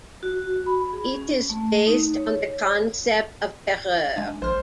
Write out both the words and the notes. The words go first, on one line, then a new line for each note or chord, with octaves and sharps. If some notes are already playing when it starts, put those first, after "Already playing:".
It is based on the concept of "terroir".
F#4
B5
G#4
C#4
A3
D#4
C#5
G#3 D4
A#1 C5 F6